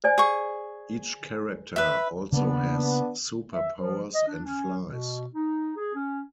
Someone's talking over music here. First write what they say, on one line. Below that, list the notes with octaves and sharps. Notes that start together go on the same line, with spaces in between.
Each character also has super powers and flies.
C5 D5 G#5
G#4 C#6
B4 E5
C#3 A#3 B3 D4
E5
F3
D#5
D4
C#4
B2
D#4
G#4
C#4